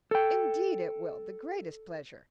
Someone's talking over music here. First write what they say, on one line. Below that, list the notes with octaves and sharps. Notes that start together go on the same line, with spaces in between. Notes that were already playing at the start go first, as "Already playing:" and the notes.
"Indeed it will; the greatest pleasure."
A4 G5